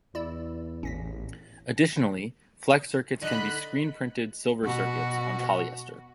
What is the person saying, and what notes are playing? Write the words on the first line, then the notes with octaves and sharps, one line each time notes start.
Additionally, flex circuits can be screen printed silver circuits on polyester.
E2 E4 D5 E6
A1 C#4 A#6 B6
D3 D#4 B5 F#6
B2 F#4